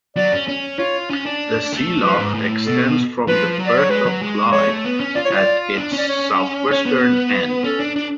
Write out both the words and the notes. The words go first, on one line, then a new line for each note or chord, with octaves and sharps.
The Sea Loch extends from the Firth of Clyde at its southwestern end.
F#3 D5
C#4
C#4
F4 C#5
C#4
D4
A3
F3 B4
G#2
A2
B2 A4
F3 B4
F#3
D5
C#5
G#3 B4
F#3
G#3
G#3 C#5
A3
B3
C#4
F4 D5
C#5
F4 D5
D4
C#4
D5
C#5
C#4 C#5
B3
B4
C#4 A4
D4
D4